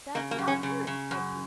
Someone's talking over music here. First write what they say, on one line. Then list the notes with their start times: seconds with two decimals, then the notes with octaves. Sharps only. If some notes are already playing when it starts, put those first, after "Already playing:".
"That's what I heard," cried Peter.
0.15 C#3 A#3
0.31 A#3
0.39 F#2
0.48 C#4
0.63 C#3
0.87 C#3
1.11 F#2